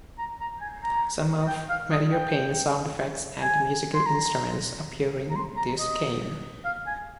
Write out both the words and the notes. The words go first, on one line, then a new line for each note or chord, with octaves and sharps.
Some of "Mario Paint"s sound effects and musical instruments appear in this game.
A#5
A#5
G#5
A#5
G5
F5
D#5
G5
G#5
C6
A#5
A#5
C6
A#5
D#5
F5
G#5